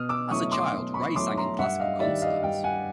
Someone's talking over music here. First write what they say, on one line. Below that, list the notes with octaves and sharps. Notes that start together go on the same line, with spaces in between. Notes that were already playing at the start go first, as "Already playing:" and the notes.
As a child, Rae sang in classical concerts.
Already playing: B2 D#6 F6
D6 E6
F#3 A3 C#4 E4 C#6 D#6
C6 D6
B2
B5 C#6
F#3 A3 C#4 E4 C6 D6
A#5 C6
G2 E5 F#5
D#5 F5
D#3 G3 D5 E5
D#5 F5
G2 F5 G5
F#5 G#5